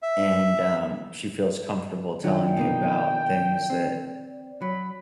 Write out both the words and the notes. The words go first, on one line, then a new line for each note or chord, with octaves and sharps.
and, um, she feels comfortable telling you about things that,
E5
D#3 F#3 D4 F4 D5 G5
B2 A#3 D#4
C4
F#3 B5